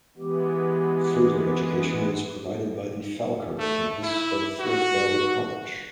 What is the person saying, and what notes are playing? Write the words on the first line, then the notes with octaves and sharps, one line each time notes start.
Further education is provided by the Falkirk campus of Forth Valley College.
E3 G#3 B3 G4
A3
E4
F#4